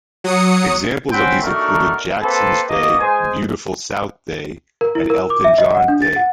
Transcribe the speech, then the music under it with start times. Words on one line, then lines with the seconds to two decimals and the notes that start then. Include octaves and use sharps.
Examples of these included "Jacksons Day", "Beautiful South Day" and "Elton John Day".
0.24 F#3 D#6 C#7
1.12 C4 C#4 F#5 G5 B5
1.42 A3 D4 D#4 F#4 A#4
2.22 A#3 C4 A4 B4
2.69 A#3 B3 D#5
2.99 G#3 C5 G#5
4.81 A#4
4.95 E4
5.10 A#4
5.30 D6
5.44 E5
5.58 D#5
5.75 F#5
5.88 D4
6.02 A6
6.16 F#5